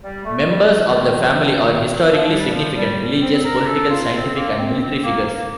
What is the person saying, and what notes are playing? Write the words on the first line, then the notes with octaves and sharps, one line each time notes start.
Members of the family are historically significant religious, political, scientific, and military figures.
G3
A3
G3
D#3
F3
D#3
F3
G3
F3
G3
C4
A#4
A4
F4
C4
A#3
C4
C4
A#3
A#3